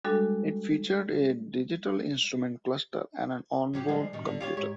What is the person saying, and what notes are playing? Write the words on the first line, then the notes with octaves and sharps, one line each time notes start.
It featured a digital instrument cluster and an onboard computer.
G3 G#3 D4 F#4 A4
F3 F#3 G4
D3 F3 G#3
G2 B2 D#3
D3
F4 G4 C#5
G#2 G4 C#5